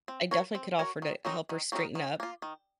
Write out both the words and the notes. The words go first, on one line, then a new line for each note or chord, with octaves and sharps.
I definitely could offer to help her straighten up.
C4
F#4 A#4 C#5
C4
F#4 A#4 C#5
D#3
F#3 C4 D#4 A#4
D#3
F#3 C4 D#4 A#4
D#3
A#3 F4
D#3